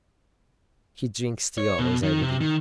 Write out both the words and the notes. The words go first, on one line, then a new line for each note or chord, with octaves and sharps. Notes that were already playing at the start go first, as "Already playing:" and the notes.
She drinks tea always, I believe.
C#5
B2
D#3
C3
D#3